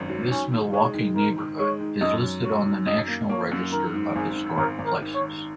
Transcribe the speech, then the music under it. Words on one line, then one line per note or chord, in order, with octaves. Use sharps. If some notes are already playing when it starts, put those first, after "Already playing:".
This Milwaukee neighborhood is listed on the National Register of Historic Places.
Already playing: G#1 F#2
F#3
D#3 C#4
D#3
G#3 C#5
D#3
G#2 A#4
D#3
G#3 C#5
D#3
F#2 D#5
F#3
F#3 C#5
D#3
F#2 D#5
A#3
A#3 C#5
F#2
D#3 A#4
G#2
G#1 G#4
D#3
G#1 A#4
G#1
A#4
D#3
C#5
D#3